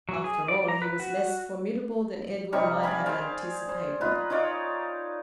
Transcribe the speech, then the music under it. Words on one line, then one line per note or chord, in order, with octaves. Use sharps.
After all, he was less formidable than Edwin might have anticipated.
F#3
G#4
D5
A#5
B4
F#4
C3 G3 D#4 C#6
D5 F5 G#5 B5
G#4 C5 F5
C5
D#4 F4 B4
D#4 F4 C#5 D5